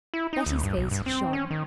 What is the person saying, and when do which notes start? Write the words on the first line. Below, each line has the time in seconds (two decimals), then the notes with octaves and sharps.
Betty's face shone.
0.14 E4
0.33 D#4
0.46 D2
0.63 G2
0.77 B1
0.91 G2
1.06 C4
1.33 C#4
1.51 D#3